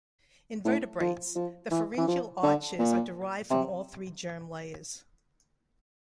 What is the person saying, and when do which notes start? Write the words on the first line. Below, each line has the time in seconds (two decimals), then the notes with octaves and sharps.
In vertebrates, the pharyngeal arches are derived from all three germ layers.
0.65 A2
1.00 F3
1.35 F3
1.71 E3
1.98 E3
2.08 F3
2.43 D3
2.79 A#2
3.50 C3